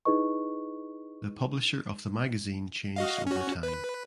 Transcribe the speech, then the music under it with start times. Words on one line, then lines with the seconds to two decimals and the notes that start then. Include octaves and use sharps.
The publisher of the magazine changed over time.
0.05 D#4 E4 G#4 B4 D#5 C#6
2.96 F#4 D#5 F5
3.27 C#4 F#4
3.63 B4